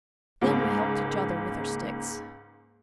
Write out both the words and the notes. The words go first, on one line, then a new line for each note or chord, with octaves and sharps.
Then we helped each other with our sticks.
C#2 G#2 A#3